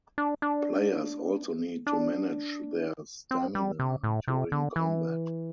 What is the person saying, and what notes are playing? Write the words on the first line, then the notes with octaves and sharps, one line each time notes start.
Players also need to manage their stamina during combat.
D4
D4
D4
C4
G3
C3
A2
C3
D3
E3